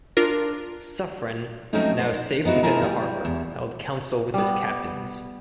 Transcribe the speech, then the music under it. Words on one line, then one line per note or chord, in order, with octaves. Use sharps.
Suffren, now safe within the harbour, held council with his captains.
D4 F4 A#4
F3 F#3 A3 C4 C#4 D#4
C5
B3 D#4 E4 F#4
A3 E4 F4 G#4 A#4
G3
E2
G3 B3